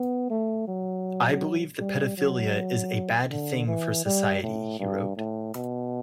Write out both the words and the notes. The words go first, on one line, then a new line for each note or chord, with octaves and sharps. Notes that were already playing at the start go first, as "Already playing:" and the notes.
"I believe that pedophilia is a bad thing for society," he wrote.
Already playing: B3
A3
F#3
G3
F#3
D3
E3
G3
A2
G2
A2
B2